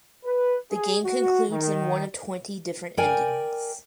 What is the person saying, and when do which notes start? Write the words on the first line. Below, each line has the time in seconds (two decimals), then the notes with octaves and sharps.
The game concludes in one of twenty different endings.
0.24 B4
0.71 G#4
1.04 F#4
1.50 D#3
2.98 A#4 D5 G5 G#5